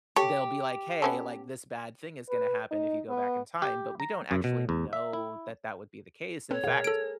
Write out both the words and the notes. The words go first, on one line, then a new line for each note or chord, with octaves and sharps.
they'll be like, "Hey," like, "this bad thing is gonna happen if you go back in time," but we don't actually know that that would be the case. In fact,
G4 A4 C#5
B3 C#4 A4
B4
D#4
B3
G4
A#5
F#2
B2
E2
E5
E4
C4 A4 B4 C#5
B2 G#4 A#4 F5
A4 D7